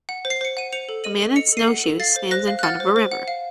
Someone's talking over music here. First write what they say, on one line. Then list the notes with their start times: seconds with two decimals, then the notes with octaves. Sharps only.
A man in snowshoes stands in front of a river.
0.09 F#5
0.25 C5
0.30 C7
0.41 C5 C#7
0.57 F#5 D#7
0.73 C5 C#7 F7
0.89 A4
1.04 D#5 D#7 F#7
1.20 A4
1.36 D#5 C#7 F7
1.52 A4 C7 D#7
1.68 F#5
1.84 A4
2.00 F5 A6 C7
2.16 C5
2.31 C5 F#6 A#6
2.48 F5
2.59 F#6
2.63 F#5 F6 A6
2.80 C5
2.96 C5
3.11 F#5
3.28 F5